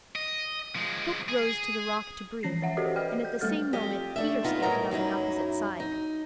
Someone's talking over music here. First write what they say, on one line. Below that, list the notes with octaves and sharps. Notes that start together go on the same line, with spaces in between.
Hook rose to the rock to breathe, and at the same moment Peter scaled it on the opposite side.
D#5
F3 G#3
G#4
E3 F3 C#4 A#6 C7
C#5 E5 F#5
F#4 G4 A4 C5 D#5
B4 D5 G5 F6
G6
G3 A3 A4 F6 A6
F2 G4 D#5
A3 D4 E5
B3 D#4 F4
A2 E4 A#4 D#5 A#5
F#2 F#3 D#4 E4
D#4